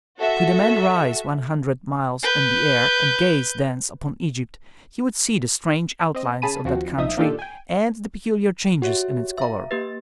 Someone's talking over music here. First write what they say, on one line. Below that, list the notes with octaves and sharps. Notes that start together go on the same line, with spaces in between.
Could a man rise one hundred miles in the air and gaze thence upon Egypt, he would see the strange outlines of that country and the peculiar changes in its color.
F#4 A4 E5
B4 G6
C4 D#5
C#3 G#4 A5 B5 D#7
D#2 F3 C4 F#4
A#1 F3 D#4 E5 D#6
A#2 D#3 D4 F4 G4 A4
G5 G#5
F#4 G4 C#5 E5
E5 F5 A#5
A#3 G4 B4 A6